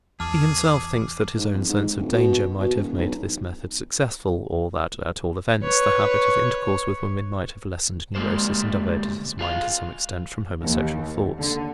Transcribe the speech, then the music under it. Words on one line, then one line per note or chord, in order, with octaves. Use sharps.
He himself thinks that his own sense of danger might have made this method successful, or that, at all events, the habit of intercourse with women might have lessened neurosis and diverted his mind to some extent from homosexual thoughts.
E2 G#4 A5 D6 F6
G#2
F2
G#2
D1
B2
B2
E1
B1
B4 C#5
D2 G3 G#3 A#3 C5
F4 G#4 F5
D#2
D3